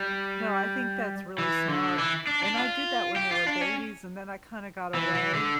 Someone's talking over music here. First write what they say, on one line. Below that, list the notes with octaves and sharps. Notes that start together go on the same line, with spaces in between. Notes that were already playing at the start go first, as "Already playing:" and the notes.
No, I think that's really smart and I did that when they were babies and then I kinda got away
Already playing: G3
E3
D3
E3
D4
D4
F4
G4
F4
D4
C#4
E3
E3
D3